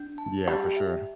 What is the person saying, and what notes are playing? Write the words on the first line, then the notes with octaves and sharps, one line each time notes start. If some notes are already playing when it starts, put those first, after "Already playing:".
Yeah, for sure.
Already playing: D4
A5
G3 G4
E5